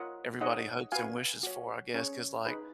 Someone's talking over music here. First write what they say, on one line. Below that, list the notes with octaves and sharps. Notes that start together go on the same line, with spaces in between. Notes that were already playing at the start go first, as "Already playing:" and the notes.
everybody hopes and wishes for, I guess, 'cause, like
Already playing: F4 A#4 C#5 D#5 F#5
D#4 G#4 C#5 D#5 F#5
F#4 B4 F5 G#5
F#4 C#5
C#4 G#4 C#5
D#4 G#4 B4